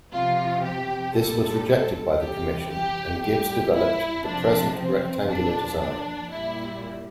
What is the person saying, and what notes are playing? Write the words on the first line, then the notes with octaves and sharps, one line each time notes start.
This was rejected by the commission, and Gibbs developed the present rectangular design.
C3 F3 F4
G4
A#2 G3 A4
C3 E3 G3 G4
G4
A#2 G3 G4
E4
C3 F3 D4
C4
A#2 F3 D4
D4
A#2 G3 E4